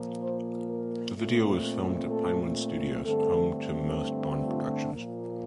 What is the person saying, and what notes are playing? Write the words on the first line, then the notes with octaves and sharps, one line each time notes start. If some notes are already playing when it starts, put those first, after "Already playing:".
The video was filmed at Pinewood Studios, home to most Bond productions.
Already playing: A#2 F3 A#3
C5
A#4
A#2 A3 C4
A4
G2 D3 A3 C4 A4
F4
A#2 F3 A#3